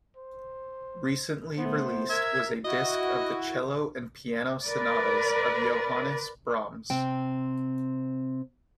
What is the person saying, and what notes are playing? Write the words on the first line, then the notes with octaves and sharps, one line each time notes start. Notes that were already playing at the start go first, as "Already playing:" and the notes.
Recently released was a disc of the cello and piano sonatas of Johannes Brahms.
C5
A3 B3 C5
A#4 E5 G#6
E4 F#4 D#5
A#4 B4 D5
C3 C4 G5